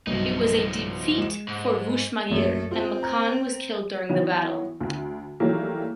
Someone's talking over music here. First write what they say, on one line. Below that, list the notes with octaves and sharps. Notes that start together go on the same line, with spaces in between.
It was a defeat for Vushmagîr and Makan was killed during the battle.
B1 G2 B2 F3 D#4
G#3 E7
G#2
A#1 F#2 A3 A4
C4 F4
A#5
D#3 E3 F#3 B3 E4
D2
D#3 E3 F#3 G3 A3 A#3